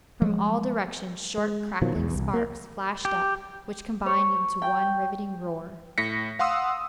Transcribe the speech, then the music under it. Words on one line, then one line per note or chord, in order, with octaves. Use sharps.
From all directions short, crackling sparks flashed up which combined into one riving roar.
F3 F#3 G#3
G#3
B2 D#3 F3 F#3
B1 E2
C2
A#3
G4
C#5
G5
A2 A#6 B6 C#7
F5 F#5 C6 D#6 E6